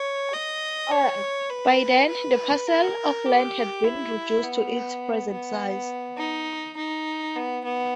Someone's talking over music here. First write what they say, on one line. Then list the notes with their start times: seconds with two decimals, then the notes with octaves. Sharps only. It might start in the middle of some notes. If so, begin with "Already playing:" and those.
By then the parcel of land had been reduced to its present size.
Already playing: C#5
0.33 D#5
0.92 C#5
1.50 B4
2.09 B4
2.67 A#4
3.25 G4
3.84 E4
4.43 B3
5.31 B3
6.18 D#4
6.77 D#4
7.36 B3
7.65 B3